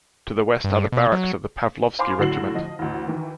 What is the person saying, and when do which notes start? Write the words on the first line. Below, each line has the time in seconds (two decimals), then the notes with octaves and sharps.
To the west are the Barracks of the Pavlovsky Regiment.
0.64 G2
0.92 B2
1.12 F#3
1.99 C5 F5 G#5 B5 C6 D6
2.18 A2 D3 F#3 F#4 C7 F#7
2.55 F3 D#5
2.79 A1 D2
3.07 D#3 E3